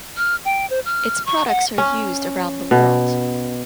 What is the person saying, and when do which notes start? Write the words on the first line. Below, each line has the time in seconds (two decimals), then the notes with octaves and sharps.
Its products are used around the world.
0.17 F6
0.45 G5
0.70 C5
0.85 F6
1.26 C#6
1.48 F#5
1.78 C#4
2.71 B2